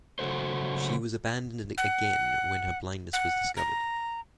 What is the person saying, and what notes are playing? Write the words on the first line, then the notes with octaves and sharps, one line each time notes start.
She was abandoned again when her blindness was discovered.
C#3 F#3 F#4 A4 C5
F#5
F#5
A#5